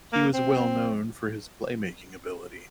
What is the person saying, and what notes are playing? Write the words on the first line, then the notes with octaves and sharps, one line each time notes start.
He was well known for his playmaking ability.
A#3
C4